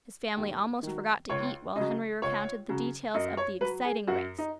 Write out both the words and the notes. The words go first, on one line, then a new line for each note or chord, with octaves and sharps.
His family almost forgot to eat while Henry recounted the details of the exciting race.
D#2
D#3 F#3
C#2 C#5
C#3 F#3 D#5
C#2 C#5
C#3 F#3
F#2 D#5
C#5
F#3 B4
G#4
F#2 F#4
D#4